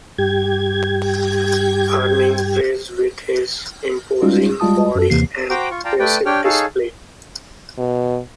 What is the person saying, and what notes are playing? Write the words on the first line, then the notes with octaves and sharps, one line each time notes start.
Earning praise with his imposing body and impressive displays.
G2 G4 G#6
G3 G#3 C#4 D#4 F4
G3 G#3 F4 A5 D#6
F#2 A4
D#2 C3 E3 A#3 C7
F#4 C5 G5 A#5 D6
F4 C#6
F4 D5 F5 G5 A5 A#5
A3 B4 D5 G5
D4 G4 C#5 G5 F6
D#4 G#4 A4 C#5 F5 A5
B2